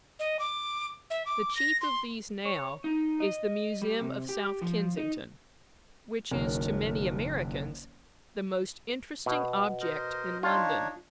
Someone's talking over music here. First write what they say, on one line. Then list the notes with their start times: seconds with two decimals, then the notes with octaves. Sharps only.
The chief of these now is the Museum of South Kensington, which is to many Americans the most interesting object in London.
0.19 D#5
0.39 D6
1.10 E5
1.26 D6
1.56 A#6
1.81 C6
2.45 C#5
2.84 D#4
3.20 D#5
3.82 G3
4.01 C3
4.29 G4
4.62 F3
4.97 D#4
6.31 F#1 D#2 B2 A#4 C#5
9.26 B2
9.81 A#4 C5 D#5
10.43 D4 D#4 F4 C#5